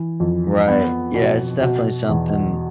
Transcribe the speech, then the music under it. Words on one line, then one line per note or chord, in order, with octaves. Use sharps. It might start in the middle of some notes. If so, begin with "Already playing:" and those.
Right. Yeah. It's definitely something
Already playing: E3
F2
B3
B2
B2
E2